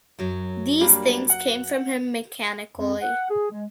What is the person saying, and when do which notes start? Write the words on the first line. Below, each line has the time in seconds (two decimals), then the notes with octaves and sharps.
These things came from him mechanically.
0.19 F#2 F#3
0.81 G3 A#3 D4
1.30 F#5
2.76 F2
3.01 F#5
3.28 G#4
3.50 G#3